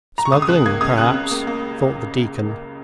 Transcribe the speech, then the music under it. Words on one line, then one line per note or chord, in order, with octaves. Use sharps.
"Smuggling, perhaps," thought the deacon.
A#5
C#6
C#2 D#6
D#6
C#2 F#6
A#3 G#6
C#2 D#6
C#3 F#6
C#3
A#3
A#3